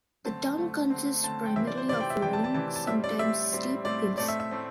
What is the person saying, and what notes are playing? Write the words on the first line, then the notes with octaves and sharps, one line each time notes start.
The town consists primarily of rolling, sometimes steep, hills.
D3 A3 C4 A5
D3 A3 C4
D3 A3 C4
D3 A3 C4 A5
G5
C3 E3 C4 E5
D5
C5
C3 E3 C4 D5
G5
E5
C3 E3 C4 G5
A5
A5
C3 E3 C4 A5
A5
A2 G3 C4 E5
D5
A2 G3 C4 E5
A2 G3 C4
A2 G3 C4 D5
A2 A3 C4 D5
E5
E5
A2 A3 C4